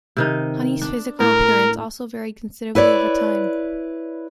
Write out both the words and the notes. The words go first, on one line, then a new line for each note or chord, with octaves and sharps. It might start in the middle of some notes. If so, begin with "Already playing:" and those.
Honey's physical appearance also varied considerably over time.
C3 D#3 D#4
D4
A2 A#4
E4 B4 C#5 D5